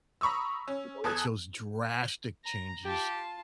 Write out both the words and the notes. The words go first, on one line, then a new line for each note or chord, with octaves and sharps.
you know, it's those drastic changes
A#5 B5 C#6 D#6 E6
C#4
E2 A4 D#6 F#6 G#6
A#5
F4 G4 A5